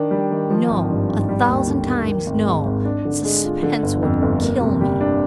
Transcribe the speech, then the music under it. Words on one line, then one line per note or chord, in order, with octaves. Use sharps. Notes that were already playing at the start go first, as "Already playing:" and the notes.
"No!--a thousand times no! Suspense would kill me!"
Already playing: D#3 D4
G3
D#3
F3
G#1
G2
G#1
G3
D#2
D3
A#3
D#3
G#1
G#2
G#1
D4
D3
G#3
F4
D3
G1
F2
G1
A#3
C3
G3
D4